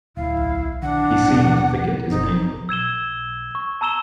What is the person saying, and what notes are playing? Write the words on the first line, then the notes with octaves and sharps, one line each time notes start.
He seemed to forget his ankle.
D1 E4 F5
D#3 D4 F#5
D#1 B2 D#3
F#1 D#4 C5
E6 G#6 E7 G7
C#6
A5 A#5 E6 E7 G7